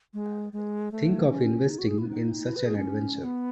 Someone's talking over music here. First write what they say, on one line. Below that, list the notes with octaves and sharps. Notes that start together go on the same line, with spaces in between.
Think of investing in such an adventure.
G#3
G#3
A3
C#4
D#4
F#4
G#4
E4
D#4
E4
B4
G#4
C#4
B3